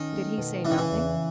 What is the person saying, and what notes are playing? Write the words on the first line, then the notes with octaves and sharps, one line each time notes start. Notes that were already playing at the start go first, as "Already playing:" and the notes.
Did he say nothing?
Already playing: D#3 C#4
A3
B2
C#3 E3
D#3
E3
E2